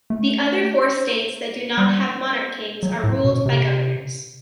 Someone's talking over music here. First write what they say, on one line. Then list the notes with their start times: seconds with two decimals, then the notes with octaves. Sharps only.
The other four states that do not have monarch kings, are ruled by governors.
0.10 A3
1.78 G3
2.83 F#3
3.04 A2
3.25 B2
3.46 C3